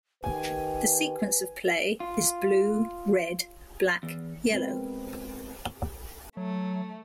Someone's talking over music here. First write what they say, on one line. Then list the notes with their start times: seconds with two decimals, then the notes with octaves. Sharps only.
The sequence of play is blue, red, black, yellow.
0.24 D#3 G4 B4 G#5
2.00 F4
4.03 E2
4.50 G#3 B3 C4 A#4 B4
6.37 F#3 A3